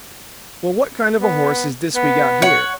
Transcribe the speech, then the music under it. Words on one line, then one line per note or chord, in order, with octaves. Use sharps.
Well, what kind of a horse is this we got here?
B3
B3
C#5 F#5